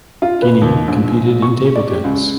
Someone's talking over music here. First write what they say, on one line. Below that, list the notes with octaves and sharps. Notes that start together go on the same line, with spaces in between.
Guinea competed in table tennis.
F4
B4
D#2
A#1
C#6
D5
G4
C#2